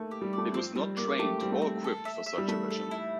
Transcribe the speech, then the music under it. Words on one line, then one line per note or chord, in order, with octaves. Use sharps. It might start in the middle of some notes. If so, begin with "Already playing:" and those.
It was not trained or equipped for such a mission.
Already playing: A3 A#3
G4
G3
A3 D5
F3 C4
G3 C4
A#3 D5
A3 G4
G3 C4
A3
C4
A4
E5
E5
G3
A3 E5
A4
E4